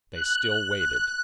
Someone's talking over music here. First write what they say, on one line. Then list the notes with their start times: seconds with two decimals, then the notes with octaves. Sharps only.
They still waited.
0.11 F#6